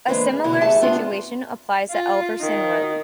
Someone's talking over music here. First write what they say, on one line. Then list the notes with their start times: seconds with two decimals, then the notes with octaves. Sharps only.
A similar situation applies at Elverson Road.
0.08 E3 G#3 A#3 D4 B4 C5
0.26 G#4
0.44 B2 D3 F#3 A#3 E4
0.61 E2 G3 A3 G#4 E5 A5
0.81 A3 B3 C4 D4 F4
1.91 F4
2.41 D#3